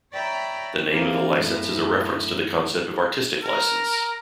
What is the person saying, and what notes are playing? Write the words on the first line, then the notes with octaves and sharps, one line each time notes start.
The name of the license is a reference to the concept of artistic license.
C#5 D5 E5 G5 A#5 B5
E3 A#3 C4 F4
F#2 A2
A#4